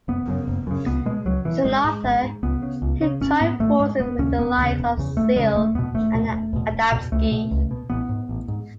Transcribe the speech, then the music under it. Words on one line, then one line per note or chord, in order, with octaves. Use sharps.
Soon after, he joined forces with the likes of Seal and Adamski.
F#1 B3
F#2 C#3
F#1
F#2 C#3
C#2 B3
B2 G#3
C#2 F#3
B2 E3
G#1 G#3
G#2
G#1
G#2
C#2 B3
C#3
C#2
C#3
G#1 C#4
G#2 B3
G#1 A3
G#2 G#3
E1 B3
D#2 C#3 C#4
E1 B3
D#2 C#3
E1
E2 C#3
E1 A3
E2 C#3 G#3
E1 A3
E2 B2 B3
E1 A3
E2 B2
E1
E2 B2
E1
E2 B2
C#2 A3
B2
C#2
B2
A1 B3
G#2
A1
G#2